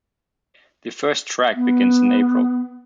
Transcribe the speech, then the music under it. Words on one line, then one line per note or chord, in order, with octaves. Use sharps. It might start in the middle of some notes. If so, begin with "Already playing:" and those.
The first track begins in April.
B3